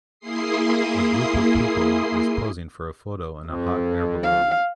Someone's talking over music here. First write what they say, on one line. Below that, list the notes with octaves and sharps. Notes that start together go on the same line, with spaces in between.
A group of people is posing for a photo in a hot air balloon.
A#3 E4 G#4 C6 D#6 C7
F2
F5